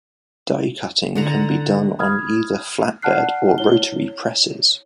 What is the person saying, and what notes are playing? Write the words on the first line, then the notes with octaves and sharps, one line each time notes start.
Die cutting can be done on either flatbed or rotary presses.
D3 F#5 A#5
B5 D#6 F6 G#6
D5 F#5 A5 F6 F#6 C7
E4 C#5 G7